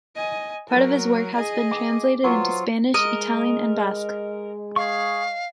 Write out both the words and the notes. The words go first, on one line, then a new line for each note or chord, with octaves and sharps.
Part of his work has been translated into Spanish, Italian and Basque.
D#5 G#5
F#3 A#4
G#4 D#5
D6
F#3 F4 C5 C#5
G#3 A#4 D#5
G#4 F5 C#6